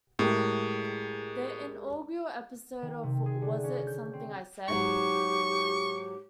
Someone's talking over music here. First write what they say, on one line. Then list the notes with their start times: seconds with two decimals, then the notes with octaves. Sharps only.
The inaugural episode of Was It Something I Said?
0.19 A2 G#3 G4 A#4
2.82 D#3
3.03 C3
3.26 G#4
3.42 D3
3.64 C#4
3.87 G6
4.13 C4
4.68 G#2 F#3 G4 C#6